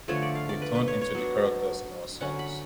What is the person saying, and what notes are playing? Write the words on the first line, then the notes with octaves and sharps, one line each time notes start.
We turned into the characters in our songs.
D3 F3 A3 C#5
D5
F5
D5
B4
B4
C#5
C#5
F#3 B3 D4
D3 F#3 C#4 F#5
B5